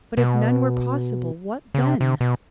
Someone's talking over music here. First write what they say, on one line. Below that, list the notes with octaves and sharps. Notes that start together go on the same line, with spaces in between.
"But if none were possible--what then?"
B2
C#3
C3
C3
B2